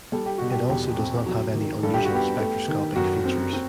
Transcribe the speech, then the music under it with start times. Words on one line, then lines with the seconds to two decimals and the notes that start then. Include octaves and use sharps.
It also does not have any unusual spectroscopic features.
0.12 G3 A4
0.26 G4
0.38 B2 F#4
0.51 G4
0.69 E2 G4
0.98 C4
1.26 F#3
1.54 D#3
1.83 G2 A4
1.94 G4
2.05 F#4
2.11 B3 G4
2.40 A3
2.68 D#3
2.96 F#2 F#4
3.25 C4
3.53 C4